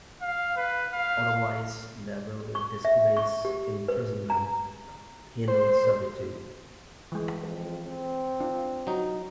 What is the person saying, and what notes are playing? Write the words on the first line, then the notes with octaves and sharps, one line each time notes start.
Otherwise there will be disgrace, imprisonment, penal servitude.
F5
B4
F5
C#6
E5
C#6
G4
B4
A#5
C5
E3 G#3
F2
C4
D4 F4
F#3 D#4